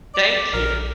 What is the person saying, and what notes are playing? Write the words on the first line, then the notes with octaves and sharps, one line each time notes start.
Thank you.
D5
A#1 A#4